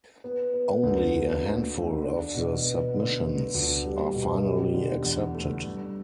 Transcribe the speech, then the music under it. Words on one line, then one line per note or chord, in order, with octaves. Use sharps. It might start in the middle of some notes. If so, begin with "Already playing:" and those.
Only a handful of the submissions are finally accepted.
B3
B3
D2
D2
A3
A3
D4
B2
B3
D3
A3
D2
G3
B2
G4
D3
E2
A3
G2